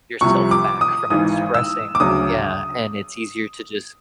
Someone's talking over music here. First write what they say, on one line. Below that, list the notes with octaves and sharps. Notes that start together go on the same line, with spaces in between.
yourself back from expressing Yeah. And it's easier to just
C2 C3 F3 C#6
D6
D#6
G#1 G#2 E3 D#6
E6
D6
D2 C#3 F#3 D#6